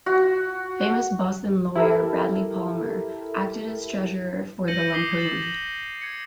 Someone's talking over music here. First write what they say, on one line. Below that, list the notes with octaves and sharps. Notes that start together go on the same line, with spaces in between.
Famous Boston lawyer Bradley Palmer acted as treasurer for "the Lampoon".
F#4
E4 G4 A4 A#4
G6 A#6 C#7 D#7 F#7 G7
D6 D#6 B6 C7 G7
A6 E7 F#7
G#6 C#7